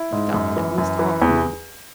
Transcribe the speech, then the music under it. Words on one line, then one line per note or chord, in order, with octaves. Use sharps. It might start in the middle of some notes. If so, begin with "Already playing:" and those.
He felt that it must all come out.
Already playing: E4
G#2
F#2
E3
F#2
E3
E2